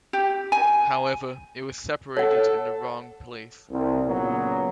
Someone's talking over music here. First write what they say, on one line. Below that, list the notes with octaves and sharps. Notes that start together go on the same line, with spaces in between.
However, it was separated in the wrong place.
G4
G#5
A4 C#5 F#5
C2
A#2 C#3 F#3 B3